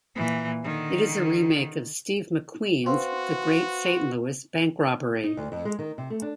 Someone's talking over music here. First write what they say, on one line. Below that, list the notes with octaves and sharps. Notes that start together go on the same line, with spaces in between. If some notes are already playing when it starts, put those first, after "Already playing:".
It is a remake of Steve McQueen's The Great Saint Louis Bank Robbery.
A#2 E3
D3 D#3
C4 F#4 B4 F5 C6
D#4
D2
F2
G#3
D#3
C3
A3
D4